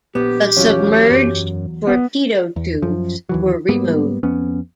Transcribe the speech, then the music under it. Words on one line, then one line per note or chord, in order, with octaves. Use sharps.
The submerged torpedo tubes were removed.
A#1 B3 G4
E2 F#3 C#4 F4
F#2
D#1 B3
E2
F#2 F3
D#2 E3 F#3
G#2 G3 A#3 B3
F2 B3 C#4